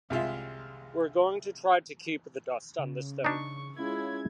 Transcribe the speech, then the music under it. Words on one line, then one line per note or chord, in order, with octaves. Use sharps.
We’re going to try to keep the dust on this thing.
C2 G#3 F4 E5
C#3
D4 D#4 C#6
G#3 C#4 E4 F4 G#6